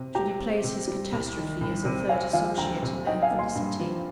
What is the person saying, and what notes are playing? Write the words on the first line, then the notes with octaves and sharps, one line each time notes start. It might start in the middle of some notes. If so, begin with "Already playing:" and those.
Should he place his catastrophe as a third associate in their felicity?
Already playing: C3
G4 G5 A#5
C4
C3
G3
C2
D#3
C2
C3
C4 F5 G#5
F3 F5 G#5
D2 G5 A#5
C3
D#4 D#5 G5
F5 G#5
A#3
G#5 C6
G2
F3